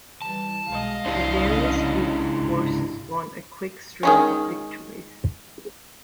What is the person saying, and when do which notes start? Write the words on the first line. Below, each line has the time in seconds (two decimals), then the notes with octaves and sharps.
The various Greek forces won a quick string of victories.
0.22 E3 G3 A5
0.69 B1 G#3 D#5 F5
1.06 C2 C3 D4 E4 G4 C5
1.45 C#2 C#3
2.36 G#1 C3
4.03 D#3 G#3 C#4